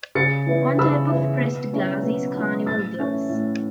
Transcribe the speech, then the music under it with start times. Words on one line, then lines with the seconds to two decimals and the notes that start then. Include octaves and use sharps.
One type of pressed glass is carnival glass.
0.15 C#3 A6 C#7
0.46 E3 B3 E4
0.78 C#3 B5 E6
1.09 E3 B3 E4
1.41 B2
1.73 F#3 C#4 E4
2.03 B2
2.34 F#3 C#4 E4
2.66 A2 E6 A6
2.98 E3 A3 C#4 E4
3.29 A2